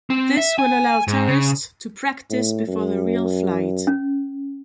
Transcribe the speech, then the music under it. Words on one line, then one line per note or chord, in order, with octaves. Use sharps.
This will allow tourists to practice before the real flight.
C4
E5
G#5
G#2
C#3
A2
F#2
C#4